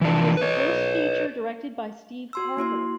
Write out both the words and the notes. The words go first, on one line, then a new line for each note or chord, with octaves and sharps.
It was the first feature directed by Steve Carver.
E3 F3 D4
B4 C#5
F#4 C6 E6
A#3 E4 F#4 C6